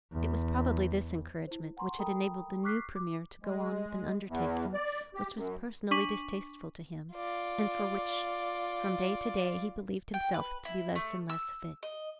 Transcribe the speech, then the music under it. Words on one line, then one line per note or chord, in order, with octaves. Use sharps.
It was probably this encouragement which had enabled the new Premier to go on with an undertaking which was personally distasteful to him, and for which from day to day he believed himself to be less and less fit.
E2
E4 C5
F#5 G#5 A#5 C6 C#6
A4 A#4 G5 A#5 B5 D#6
C#6 D6 F6 F#6 B6 C7
D6
G#3
E2
D5
G4
F#2
D4 C#6 D6 B6 D#7 F#7
F4 D5
G5
B4
E4
A3
E6
D#5